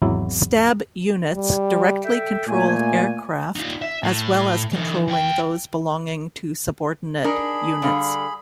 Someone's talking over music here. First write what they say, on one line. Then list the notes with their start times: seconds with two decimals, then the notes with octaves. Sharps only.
"Stab" units directly controlled aircraft as well as controlling those belonging to subordinate units.
0.02 G#1 E2 F#3 E4
1.35 G3
2.05 A4 E5 G5
2.48 A#2 A3 G#5
3.56 D#4 F4
3.82 E5
4.04 A2
4.72 E3 D#4
5.08 E2 G5
7.24 D4 D#4 G#4 A#4 B5
7.82 D3 G3 F5